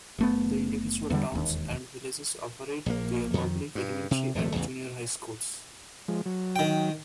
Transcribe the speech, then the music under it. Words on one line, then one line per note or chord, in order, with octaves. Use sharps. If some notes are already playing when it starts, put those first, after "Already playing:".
The individual towns and villages operate their public elementary and junior high schools.
F#1 A3 B3
E2 D3 G3
E1 D#2
A#1 A#3
F2 D#3
G2
C3
D#1 G#1 F3 A3
A1 E2 C#3
F3 G#3
F#3
D#3 G5